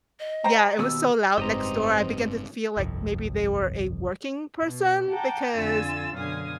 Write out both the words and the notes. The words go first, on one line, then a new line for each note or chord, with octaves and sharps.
Yeah, it was so loud next door. I began to feel like maybe they were a working person because
D#5
C5 G5 A#5
D#2 B2 E6
F#1 G#2 C4 G4 B4 C5 D#5 A#5
G1 C2 F2
B2
F#5 G5 A5 A#5 D6 G6
F2 D3 F4 G#5 E6 A6
F#2 B2 D3 F5 G#5 D#6